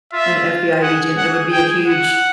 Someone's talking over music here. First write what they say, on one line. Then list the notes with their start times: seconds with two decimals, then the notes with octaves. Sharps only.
an FBI agent, it would be a huge.
0.13 F4 E5
0.82 G#4 F#5
1.17 F#5
1.52 G5
1.86 F#5